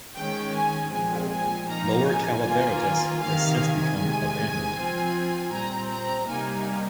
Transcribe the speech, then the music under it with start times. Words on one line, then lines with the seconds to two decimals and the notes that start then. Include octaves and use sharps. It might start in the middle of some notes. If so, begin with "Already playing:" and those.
Lower Calaveritas has since become abandoned.
0.15 D#3 G#3 C#4 G5
0.54 G#5
0.92 A#2 F3 G#3 C4 G#5
1.30 G#5
1.69 F3 A#3 D#4 A#5
2.07 G#5
2.45 D#3 A#3 F4
3.22 C3 D#3 A#3 F5
3.60 G#5
3.99 C3 D#3 G#3
4.76 F3 C4 F4
5.52 A#2 G3 C4 A#5
5.90 A#5
6.28 C3 G3 A#3 D#4 G#5